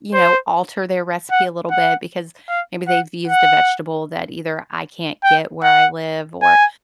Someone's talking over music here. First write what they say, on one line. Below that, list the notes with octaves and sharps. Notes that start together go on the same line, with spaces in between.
you know, alter their recipe a little bit because maybe they've used a vegetable that either I can't get where I live, or
C5
F#5
F#5
F5
F#5
F#5
G5
F#5
G#5